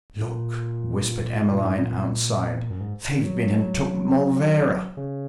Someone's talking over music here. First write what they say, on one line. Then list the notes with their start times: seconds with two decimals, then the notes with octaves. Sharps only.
"Look!" whispered Emmeline outside; "they've bin and took Morlvera."
0.21 A#2
1.51 A#2
1.64 G#2
1.78 A#2
2.70 F#2
2.80 G#2
3.10 D#3
3.24 F#3
4.97 C#3